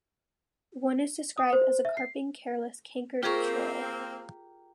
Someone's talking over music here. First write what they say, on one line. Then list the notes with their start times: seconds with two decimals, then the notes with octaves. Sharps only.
One is described as a carping careless cankerd churle.
1.38 D#6
1.53 C5
1.85 E5
1.97 C7
3.23 A#3 C4 F4 G4 G#4 A#4 C#6